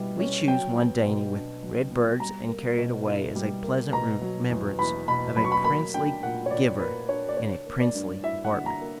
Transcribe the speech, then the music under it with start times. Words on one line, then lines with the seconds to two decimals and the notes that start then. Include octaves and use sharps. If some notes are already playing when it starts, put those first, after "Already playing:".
We choose one dainty with red birds, and carry it away as a pleasant remembrance of a princely giver, in a princely apartment.
Already playing: B2 G3 E4
0.20 C#4
0.47 F#3 G5
0.77 B3
1.06 B2
1.34 D4
1.63 F#3
1.91 B3
2.20 G3 A#5
2.48 A#3
2.78 B2
3.07 E4
3.36 G3
3.64 A#3
3.93 B2 A#5
4.22 F#3
4.50 E2
4.79 E2 B5
5.07 B2 B5
5.37 F#3 B5
5.44 C#6
5.52 B5
5.64 A#3 B5
5.94 D4 G5
6.23 A#2 F#5
6.46 C#5
6.51 A#2 D5
6.80 A#3 B4
7.08 D4 C#5
7.29 D5
7.37 D3 C#5
7.66 A#3
7.81 D5
7.95 G2
8.23 E4 E5
8.45 F#5
8.53 D3
8.66 A#5
8.81 A#3